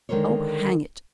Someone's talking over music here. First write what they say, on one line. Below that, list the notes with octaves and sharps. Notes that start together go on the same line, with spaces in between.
Oh, hang it!
D3 D#3 G#3 A#4 C5 C#5